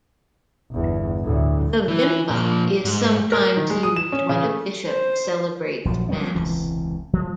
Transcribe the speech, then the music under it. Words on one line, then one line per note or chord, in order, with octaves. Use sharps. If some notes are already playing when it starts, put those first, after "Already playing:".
The vimpa is sometimes used when a bishop celebrates Mass.
G1 E2
D2 A2
E3
A#2 F3
G#2
A#4
D#3
G#3
D#6
E7
C#4
C#3
A3
C5
A#1 F3 F#3
F3 G3 B3 C#4
E1 C#2 C3 E3
F3